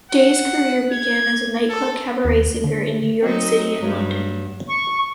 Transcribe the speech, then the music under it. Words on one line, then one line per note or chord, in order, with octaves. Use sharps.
Day's career began as a nightclub cabaret singer in New York City and London.
F#5
G#6
A4
D#2
D3
F#3 C4 D#4 D#5
G2 F#3
C#6